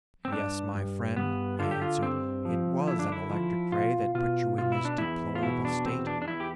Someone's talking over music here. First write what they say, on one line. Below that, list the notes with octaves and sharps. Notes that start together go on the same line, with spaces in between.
"Yes, my friend," I answered, "it was an electric ray that put you in this deplorable state."
C4
G2 D4
G2
G2 B3
D3 F4
G4
F4
G2 C4
F3
D3 E4
D4
E4
F3
B2 F4
B2 F4
B2 F4
E4
D4
E2 E4
F4
B2 E4
D4
E2 C4
D4
D4
E2 E4
G4